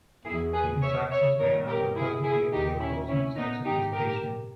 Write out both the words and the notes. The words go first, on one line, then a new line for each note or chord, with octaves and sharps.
It is accessed by an underpass that links the opposing sides of the station.
E2 B2 E4 G#4
G#4 B4
C#5 E5
C#5 E5
G2 D#3 A#4 C#5
G4 A#4
E4 G#4
E4 G#4
D#2 D#3 D#4 G4
C#4 E4
C#4 E4
B3 D#4
G#2 D#3 D#4 G4
G4 A#4